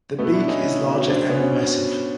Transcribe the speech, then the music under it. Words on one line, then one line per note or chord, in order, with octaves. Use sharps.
The beak is larger and more massive.
B2 A3 B3
B2 D4 E4
B2 C#4 D#4
B2
B2
B2
B2 C4 D4
B2
B3 C#4
B2
B2
B2